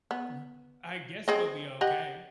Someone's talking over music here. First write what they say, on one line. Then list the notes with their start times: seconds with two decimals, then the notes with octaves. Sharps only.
Mhm. I guess it'll be okay
0.11 B3
1.28 C4 G#4 D#5
1.81 G4 D#5 F#5